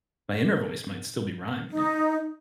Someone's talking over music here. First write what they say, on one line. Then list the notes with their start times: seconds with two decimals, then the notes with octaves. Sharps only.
my inner voice might still be rhyming it.
1.70 D#4